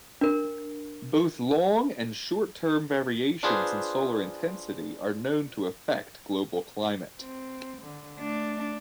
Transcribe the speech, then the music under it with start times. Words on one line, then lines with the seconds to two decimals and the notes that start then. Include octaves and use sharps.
Both long- and short-term variations in solar intensity are known to affect global climate.
0.21 D4 A#4
3.43 D4 F4 G#4 B4 C5
7.20 C4
7.82 D3
8.19 A3 D4